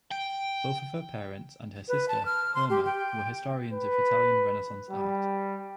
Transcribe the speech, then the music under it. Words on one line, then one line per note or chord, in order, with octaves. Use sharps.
Both of her parents and her sister, Irma, were historians of Italian Renaissance art.
G5
B4
A5
F6
C6
G4
G5
B4
G3